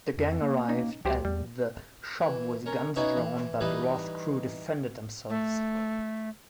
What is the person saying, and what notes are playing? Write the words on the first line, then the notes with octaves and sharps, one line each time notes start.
The gang arrived at the shop with guns drawn, but Roth's crew defended themselves.
F2
A#3
C#4 D#4
C#2 F#3 G4 C5
E2 G3
E3
C#4 A#4
B3 C#4 D#4 E4 F#4
E3
E3 G3 D#4 B4 D5 D#5
A3